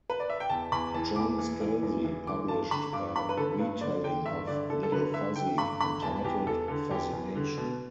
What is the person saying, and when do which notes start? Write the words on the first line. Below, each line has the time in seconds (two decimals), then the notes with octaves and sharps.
John Scalzi published a re-telling of "Little Fuzzy", entitled "Fuzzy Nation".
0.10 B4
0.20 D5
0.30 E5
0.40 G5
0.50 E2 A5
0.72 E2 B5
0.94 E3 A5
1.16 E2 D6
1.38 E3
1.61 E3
1.83 E2
2.05 E3
2.27 D3 D6
2.48 G2 A5
2.71 D3 B5
2.93 G2 D6
3.15 G2 B5
3.29 B4
3.37 D3 A4
3.59 G2 B4
3.81 D3 D5
4.03 D3 G5
4.25 G2 E5
4.47 D3 D5
4.70 D3 A4
4.83 A4
4.92 D3 B4
5.14 D3 E5
5.36 D3 G5
5.58 G2 B5
5.81 D3 B5
6.02 E2 A5
6.24 E2 G4
6.47 E2 A4
6.68 D3 A4
6.90 E2 G4
7.13 E2
7.35 D3
7.58 B2